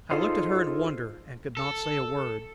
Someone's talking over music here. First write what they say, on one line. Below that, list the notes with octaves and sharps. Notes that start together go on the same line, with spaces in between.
I looked at her in wonder, and could not say a word.
D#4 F4 G#4 A4 C5 D#5
A4